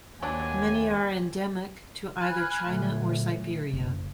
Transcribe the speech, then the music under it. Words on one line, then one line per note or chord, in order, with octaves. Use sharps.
Many are endemic to either China or Siberia.
D#2 F#3 D4 G#5
G#5 B5 F6 F#6 G#6
A#2 D3 F#3 A3
F#1